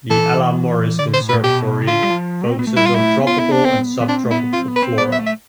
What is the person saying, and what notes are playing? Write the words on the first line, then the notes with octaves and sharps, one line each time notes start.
The Ella Morris Conservatory focuses on tropical and subtropical flora.
E3 A4
D3 D5
C5
A2
B4
A2
B2 G4
C3
D3 F4
G3
F3
C4
B3
A3
G3 E4
F4
A3 E4
B3
F4
E4
D4
C4
B3
C4 D4
A3
B3 E4
C4 F4
B3
B4
C4
B3 D5
E5
A3
E5